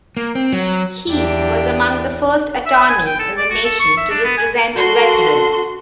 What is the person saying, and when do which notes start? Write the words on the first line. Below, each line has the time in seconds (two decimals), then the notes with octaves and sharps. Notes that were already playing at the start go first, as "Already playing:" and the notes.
He was among the first attorneys in the nation to represent veterans.
0.17 A#3
0.35 C4
0.52 F#3
1.09 E2 D4 G4
2.66 E5
2.89 G#5
3.06 G5
3.19 A4
3.37 D5
3.50 F#4
3.64 A4
3.79 C#6
3.97 E5
4.10 D4
4.24 B3
4.37 G#5
4.76 F#4 A4 C6